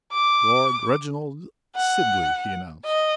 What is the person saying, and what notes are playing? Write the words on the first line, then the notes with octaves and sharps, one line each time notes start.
"Lord Reginald Sidley!" he announced.
D6
F#5
D#5